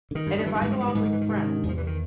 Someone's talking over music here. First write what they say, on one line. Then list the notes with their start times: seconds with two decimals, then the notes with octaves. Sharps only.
and if I go out with friends,
0.11 D3
0.15 D#3
0.27 G2
0.38 D#3
0.46 E3
0.55 D#3
0.61 G#2 E3
0.71 D#3
0.80 E3
0.88 D#3
0.95 G#2 E3
1.05 D#3
1.13 E3
1.21 D#3
1.28 C3 E3
1.37 D#3
1.63 E2
1.69 F3
1.78 E3
1.87 D#3